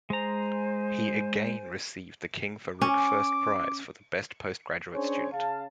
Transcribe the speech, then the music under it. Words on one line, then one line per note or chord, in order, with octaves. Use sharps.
He again received the King Farouk First Prize for the best postgraduate student.
G#3 C5 G#5 A#5
C#4 D6
C#4 D4 G#4 C5 C#5
C#3 F5 A5